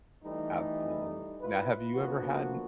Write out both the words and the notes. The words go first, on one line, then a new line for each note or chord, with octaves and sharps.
Absolutely. Now, have you ever had n
E3 G3 A3 D#4
E4 F4 B4
D3 F3 A#3 B3 F#4